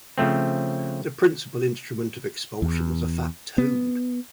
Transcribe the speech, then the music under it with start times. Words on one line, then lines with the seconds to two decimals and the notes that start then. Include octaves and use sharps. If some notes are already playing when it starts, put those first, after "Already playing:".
The principal instrument of expulsion was a fat toad.
0.18 C#3 F3 A3 C4
2.62 E2
3.58 B3